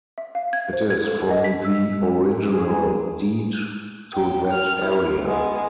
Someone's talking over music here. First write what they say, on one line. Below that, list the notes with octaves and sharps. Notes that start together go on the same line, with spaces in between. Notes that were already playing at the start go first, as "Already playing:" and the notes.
It is from the original deed to that area.
E5
F5
G#6
C5
G#6
A4
D#5
B6
E6
G#4
G5
F6
E4
G#3 B3